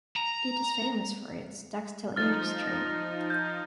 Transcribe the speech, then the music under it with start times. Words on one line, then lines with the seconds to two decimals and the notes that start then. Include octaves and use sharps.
It is famous for its textile industry.
0.16 A#5
2.16 F3 D#4 F6 A6
2.67 A#6
3.30 G6